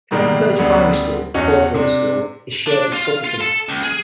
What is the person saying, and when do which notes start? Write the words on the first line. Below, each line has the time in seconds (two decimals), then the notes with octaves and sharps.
The village primary school, the Fourfields school, is shared with Sutterton.
0.11 G#2 B2 D#3 G3 G#3 A#3
0.59 D2 C#3 G3 B3
1.34 E2 C#4 F#4 D#5
1.74 C3 D4
2.67 D4
2.92 F4
3.05 F5
3.24 F4
3.41 A4
3.69 C#2
3.83 G#4